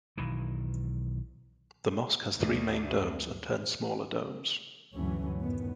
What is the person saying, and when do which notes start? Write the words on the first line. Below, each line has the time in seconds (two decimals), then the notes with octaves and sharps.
The mosque has three main domes and ten smaller domes.
0.18 B1 D#3 E3
2.40 D2
4.95 D2 G2 E3 F#3 A3 C#4
5.40 F#2 A2 D#3 B3